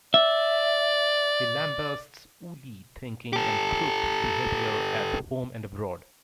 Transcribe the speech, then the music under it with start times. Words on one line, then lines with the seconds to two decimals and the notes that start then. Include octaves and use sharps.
He lambasts woolly thinking and crooked behaviour at home and abroad.
0.14 D5 E5
3.33 G4 A4